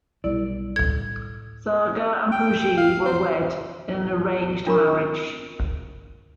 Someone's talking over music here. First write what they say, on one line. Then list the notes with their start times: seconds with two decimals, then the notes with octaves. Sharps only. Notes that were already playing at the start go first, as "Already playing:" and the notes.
Saga and Pujie were wed in an arranged marriage.
0.24 B1 A#2 G3 E4 D5
0.76 A2 G#6
2.32 G5
2.78 F5
3.05 C5
4.67 D4 F4 A#4 A#5 B5 C#6